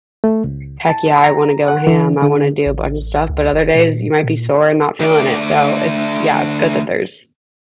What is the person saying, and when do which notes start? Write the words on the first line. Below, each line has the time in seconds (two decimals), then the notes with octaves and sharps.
"Heck yeah, I want to go ham, I wanna do a bunch of stuff," but other days you might be sore and not feeling it, so it's, yeah, it's good that there's
0.24 A3
0.44 C#2
0.89 A5
1.24 A#5
1.68 F#5
1.87 E3
2.22 D3
2.66 A1
3.30 C#2
3.53 F1
3.75 A#2
4.23 A#2
5.00 D2 D5